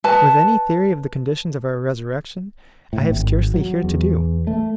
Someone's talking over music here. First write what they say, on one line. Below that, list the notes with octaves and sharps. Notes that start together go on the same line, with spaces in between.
With any theory of the conditions of our resurrection, I have scarcely here to do.
B4 A5
A2
G#1
F#3
E2
A3